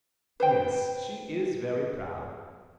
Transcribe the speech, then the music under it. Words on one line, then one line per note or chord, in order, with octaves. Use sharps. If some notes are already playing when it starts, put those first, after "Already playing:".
"Yes, she is very proud."
B4 C5 G5